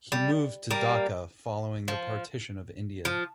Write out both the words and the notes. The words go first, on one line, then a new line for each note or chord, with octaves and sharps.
He moved to Dhaka following the partition of India.
G3
G3 A#3
F3
F3